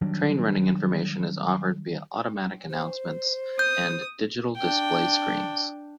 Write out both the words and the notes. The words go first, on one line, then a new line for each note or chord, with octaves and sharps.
Train running information is offered via automatic announcements and digital display screens.
D#3 F#3 G3 D4
C5
D#6 G6
D4 G5